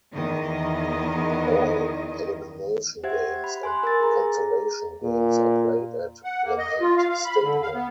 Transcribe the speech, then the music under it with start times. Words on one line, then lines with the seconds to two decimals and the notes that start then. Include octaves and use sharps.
All elimination games and consolation games are played at Lamade Stadium.
0.13 E2 D#3 D#5
3.03 G4 C5 E5 F#5 G#6
3.44 B5
3.63 G#5 C6 F#6
3.83 A#4 G#5 A6
4.00 G#4 A#5
5.03 A#2
6.24 F#5
6.44 A#3
6.58 D#5
6.81 F4
6.97 F5
7.10 F5
7.25 B5
7.42 D3
7.62 F5
7.74 B3